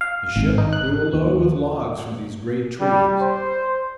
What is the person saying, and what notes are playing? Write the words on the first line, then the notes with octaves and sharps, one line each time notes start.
The ship we will load with logs from these great trees.
F5
G#1
D#4
F#6
D#2
G3
C5